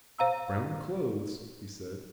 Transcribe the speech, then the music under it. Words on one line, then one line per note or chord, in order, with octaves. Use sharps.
"Brown clothes?" he said.
C5 F5 A#5 E6